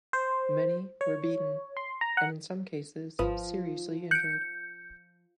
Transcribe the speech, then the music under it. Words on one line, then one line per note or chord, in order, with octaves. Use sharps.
Many were beaten and in some cases seriously injured.
C5
C#5
C6
A#5
F#5
G#1 F3 B4 D#6
F#6 G6 C#7 D7